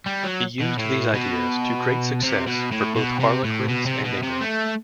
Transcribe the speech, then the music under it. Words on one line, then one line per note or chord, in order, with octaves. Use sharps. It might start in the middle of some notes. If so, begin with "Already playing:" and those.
He used these ideas to great success for both Harlequins and England.
G3
F#3
B2
A2
B2
C3
B2
A2
B2
C3
A2
B2
C3
B2
C3
A3